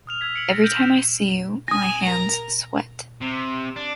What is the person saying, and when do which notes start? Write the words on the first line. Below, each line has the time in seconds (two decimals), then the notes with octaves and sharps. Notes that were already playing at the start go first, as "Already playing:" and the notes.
Every time I see you, my hands sweat.
0.07 D#6 F6 F7
0.21 E6 F6 G#6 B6
0.35 C#7 D7 F#7
0.49 A6 A#6 F#7
0.62 F6 G6 D7
0.75 B6 E7
1.68 G#5 D#6 A#6
2.02 A#4 A#5
3.22 C3
3.77 D4